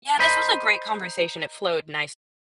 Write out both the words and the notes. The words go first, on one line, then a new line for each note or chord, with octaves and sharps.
Yeah, this was a great conversation, it flowed nice
A#4 C5 D#5 B5